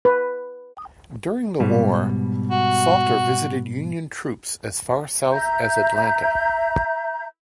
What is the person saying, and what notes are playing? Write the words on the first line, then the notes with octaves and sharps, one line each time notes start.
During the war, Salter visited Union troops as far south as Atlanta.
B4
G#2 B2 G3
F#4
E5 A#5 G6